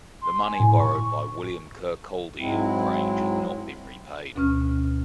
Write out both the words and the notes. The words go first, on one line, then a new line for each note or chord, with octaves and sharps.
The money borrowed by William Kirkcaldy of Grange had not been repaid.
C6
G#5
A2
C#6
G#2 F#3 G#3 C4 E4
D2 B2 C#4 F6